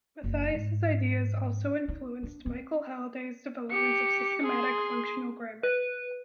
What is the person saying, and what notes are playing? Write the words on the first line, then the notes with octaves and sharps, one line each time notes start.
Mathesius's ideas also influenced Michael Halliday's development of systemic functional grammar.
F#1
G#2
D#4
D4
C4
G4 C#7
G#4 C6
B4